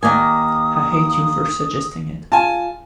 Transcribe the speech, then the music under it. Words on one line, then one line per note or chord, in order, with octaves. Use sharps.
I hate you for suggesting it.
D#2 A#3 G#5 D#6
F4 G#5 A5